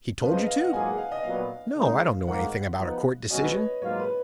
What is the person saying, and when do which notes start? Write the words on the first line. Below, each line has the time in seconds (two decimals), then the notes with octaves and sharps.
He told you to!--No, I dunno anything about a court decision.
0.21 F2 C#3 F3 B4
0.33 D#5
0.47 F5
0.60 F#5
0.72 G#2 F#3 A#3 F4 G#4 G#5
0.86 F#5
0.98 F5
1.12 D#5
1.24 A#2 F#3 B3 F5
1.76 C#3 G#3 D#4
2.27 G#2 D#3 A#3 F#5
2.79 F3 B3 D#4
3.30 C#2 B2 F#3 C#4 F#4 D#5
3.44 B4
3.56 C#5
3.82 G#2 F#3 A#3 F4 C#5
3.99 B4